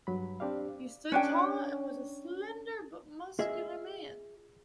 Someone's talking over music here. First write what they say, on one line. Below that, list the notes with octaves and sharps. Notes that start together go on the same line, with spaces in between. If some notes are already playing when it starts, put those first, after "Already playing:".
He stood tall and was a slender but muscular man.
G2 F#3 B5
C4 D4 G4 D5 F5
C#4 D4 G5
F4 G#4 D#5 E5